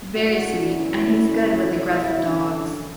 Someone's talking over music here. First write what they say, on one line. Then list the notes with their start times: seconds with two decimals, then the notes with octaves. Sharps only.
Very sweet and he’s good with aggressive dogs.
0.15 A2 G#3 D4 F#4
0.67 E2 D3 F#3 C#4 E4
1.20 D3 A3 C#4
1.71 E2 B2 F#3 E4
2.23 F#2 D3 F#3 C#4 D4